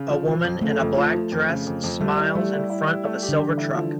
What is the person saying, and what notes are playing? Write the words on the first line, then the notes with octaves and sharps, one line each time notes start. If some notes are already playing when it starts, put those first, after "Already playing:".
A woman in a black dress smiles in front of a silver truck.
Already playing: C#3
F3
F3
F2
C#3 A3
F2
F3
F3
F2
C#3
F2
F2
G3 A3
E4
G3 A3
E4
E4
E4
A3
G4
D3
E3 G4
E4
F3